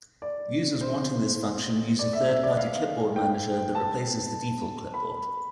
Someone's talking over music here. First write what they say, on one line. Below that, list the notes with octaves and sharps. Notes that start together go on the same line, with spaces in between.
Users wanting this function use a third-party clipboard manager that replaces the default clipboard.
D5
C5
D5
E5
E5
D5
F5
G5
A5
B5